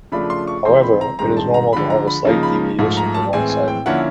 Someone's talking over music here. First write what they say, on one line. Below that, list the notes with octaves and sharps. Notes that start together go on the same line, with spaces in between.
However, it is normal to have a slight deviation to one side.
C#3 F3 A3 D4 F4 B5
C6
C#6
E3 G#3 C4 C6
B5
A#5
G2 D#3 G#3 C4 A#5
A5
A#5
D3 F3 G#3 B5
A#5
B5
C#3 F3 A#3 D#4
B5
G#2 F3 A3
A#5
A5
A2 E3 G#3 C4 G#5
G#5
G5
D3 F3 A#3 C#4 E4 F#5